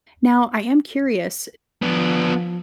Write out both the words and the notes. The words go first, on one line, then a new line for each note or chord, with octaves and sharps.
Now, I am curious.
F3 B3 D4